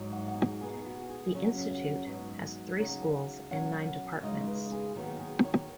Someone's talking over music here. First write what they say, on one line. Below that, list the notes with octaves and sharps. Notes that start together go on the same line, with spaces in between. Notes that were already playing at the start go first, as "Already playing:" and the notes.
The Institute has three Schools and nine Departments.
Already playing: G#2 F#3 D#4
F#5
D#5
F#5
G#4
B2 B3 D#4 G#4
F#4
G#4
F#2 C#3 F#3 C#4
F#5
G#2 F#3 B3 D#4
C#3 F#3 D#4
B2 F#3 C#4 F#5
C#3 G#3 D#4 D#5
B4
G#4
D#2 D#3 F#3 B3 F#4
G#4
C#5